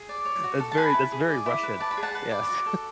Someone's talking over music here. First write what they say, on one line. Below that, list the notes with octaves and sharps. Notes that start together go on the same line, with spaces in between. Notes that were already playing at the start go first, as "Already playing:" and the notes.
that's very that's very Russian, yes.
Already playing: G#4
D5
C#5
F#4
A4
A5
B4 G#5 B5
E4
G#4
D5
E4
B4
D5 A5
B5
G#4
F#5 A5
B4
D5
F#4
A4